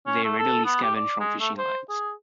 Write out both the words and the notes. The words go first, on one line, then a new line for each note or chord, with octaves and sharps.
They readily scavenge from fishing lines.
C#4
A3
A4
B3
G4
D5
G#3
A3
C5
G#4